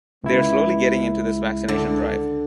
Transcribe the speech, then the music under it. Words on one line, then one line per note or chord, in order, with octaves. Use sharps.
They are slowly getting into this vaccination drive.
C#2 E4
D3